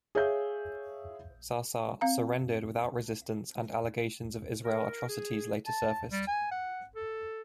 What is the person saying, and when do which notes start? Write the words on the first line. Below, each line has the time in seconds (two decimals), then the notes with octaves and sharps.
Sa'sa' surrendered without resistance and allegations of Israeli atrocities later surfaced.
0.15 G#4 C#5 E5 F5 G6
2.01 C4 F5 A#5
4.64 A#4
5.08 G#4
5.66 A5
6.11 G3
6.28 G#5
6.51 F#5
6.95 A4